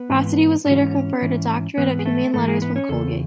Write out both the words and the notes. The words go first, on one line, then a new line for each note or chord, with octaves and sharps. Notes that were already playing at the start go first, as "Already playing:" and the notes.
Bossidy was later conferred a doctorate of Humane Letters from Colgate.
Already playing: B3 B4
G#2 E3
G#2 E3 C#4 C#5
G#2 E3
G#2 E3 B3 B4
G#4
A3 A4
G#2 E3 A3 A4
G#3 G#4
B3 B4
C#4 C#5
E2 C#3 A4